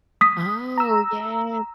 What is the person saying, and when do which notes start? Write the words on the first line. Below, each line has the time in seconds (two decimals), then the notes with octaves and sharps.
Oh, yes.
0.21 D#6 B6
0.78 A#5 E6